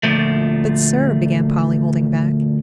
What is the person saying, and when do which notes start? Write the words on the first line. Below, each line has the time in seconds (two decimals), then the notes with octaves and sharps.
"But, sir--" began Polly, holding back.
0.03 D2 A#2 F3 A3